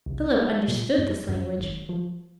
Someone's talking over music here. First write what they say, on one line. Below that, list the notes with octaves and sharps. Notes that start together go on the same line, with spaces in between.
Philip understood this language.
C2
A#3
A#2
F#2
F#2
G#1
F3